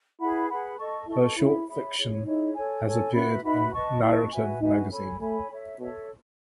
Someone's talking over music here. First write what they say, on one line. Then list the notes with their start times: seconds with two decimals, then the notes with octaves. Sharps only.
Her short fiction has appeared in "Narrative Magazine".
0.19 E4 G#4 B4 F#5 B5
0.49 G#4 B4 F#5 B5
0.78 A4 D#5 A5 C#6
1.07 E4 A4 D#5 A5 C#6
1.37 E4 G#4 C#5 E5 B5
1.67 G#4 C#5 E5 B5
1.96 E4 G#4 C#5
2.26 D#4 E4 G#4 C#5
2.55 A4 C#5 G#5
2.84 A4 C#5 G#5
3.14 C#4 F#4 B4 E5 B5
3.43 D#4 F#4 B4 E5 B5
3.73 B4 D#5 A5 C#6
4.02 E4 B4 D#5 A5 C#6
4.31 F#4 B4 E5 G#5
4.61 D#4 F#4 B4 E5 G#5
4.91 A4 C#5 G#5 B5
5.20 A3 A4 C#5 G#5 B5
5.50 A4 C#5 E5
5.79 B2 A4 C#5 E5